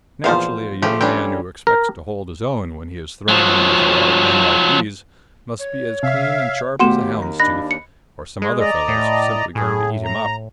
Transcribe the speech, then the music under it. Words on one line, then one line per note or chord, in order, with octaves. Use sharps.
Naturally, a young man who expects to hold his own when he is thrown in with a lot of men like these must be as clean and sharp as a hound's tooth, or some other fellow's simply going to eat him up.
E2 A#2 F3 C5 F5
C#3 F3 A3 G4
E3 G3 C#4 D4 G5
A#4
F3 F#3
C#5
C3 E5 F5
D#2 A3 B3 F#4 G4 F#5 C6 E7
A#5
D4 D#5 B5 F#6 A#6
C#7
G#3
D5 D#5 A#5
A2
A2 G#4
A#5